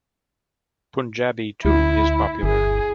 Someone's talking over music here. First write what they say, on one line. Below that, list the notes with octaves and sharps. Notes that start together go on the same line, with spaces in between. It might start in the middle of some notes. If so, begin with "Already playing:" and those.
Punjabi, too is popular.
D2 E4
G1 G#4